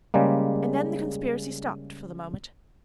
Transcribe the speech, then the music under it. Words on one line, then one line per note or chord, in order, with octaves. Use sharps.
And then the conspiracy stopped for the moment.
C#3 G3 G#3 A#3